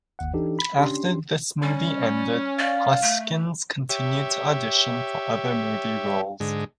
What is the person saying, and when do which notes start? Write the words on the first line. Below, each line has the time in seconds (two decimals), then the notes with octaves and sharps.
After this movie ended, Hoskins continued to audition for other movie roles.
0.19 G1 D#2 F#5
0.33 E3 D4 D#4 G4 A4
0.59 B5
0.78 C#4 D4 G4 C6
1.62 G3 C#4
2.59 D5 F5
3.02 A3
3.89 G4 C#5 E5
6.40 G#2 D3 G#3